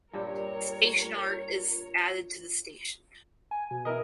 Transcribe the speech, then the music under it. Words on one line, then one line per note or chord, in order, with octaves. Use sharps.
Station art is added to the station.
G2 A#2 G3 F4 G4 A#4 C#5
G#5
B2
E4 A#4 D#5